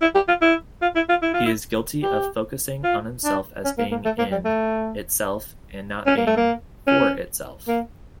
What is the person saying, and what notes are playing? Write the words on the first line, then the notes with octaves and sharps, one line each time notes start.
He is guilty of focusing on himself as being-in-itself and not being-for-itself.
E4
G4
F4
E4
F4
E4
F4
E4
F4
E4
G4
F4
D4
C#4
A#3
A#3
A3
A#3
G3
A3
C#4
A#3
A3
A#3
C#4
A#3